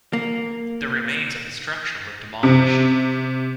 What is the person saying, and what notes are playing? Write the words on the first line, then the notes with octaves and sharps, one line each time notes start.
The remains of the structure were demolished.
A#3
C3